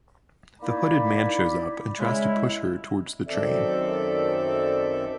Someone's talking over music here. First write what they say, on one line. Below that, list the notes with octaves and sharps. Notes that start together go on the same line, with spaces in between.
The hooded man shows up and tries to push her towards the train.
A#3 D#4 E4 D5 B5
C#3 G3 G#3 E4
F#2 D#3 C4 A4 D5 E5